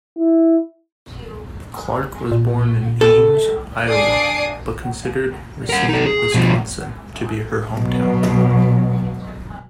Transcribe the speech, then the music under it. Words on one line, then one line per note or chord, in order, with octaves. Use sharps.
Clark was born in Ames, Iowa, but considered Racine, Wisconsin, to be her hometown.
E4
A#2
A4
D4 D5 G#5 D#6 C7 D7
A#4 F#5
D#4 A4
G#4
B2 F3
B2 F#3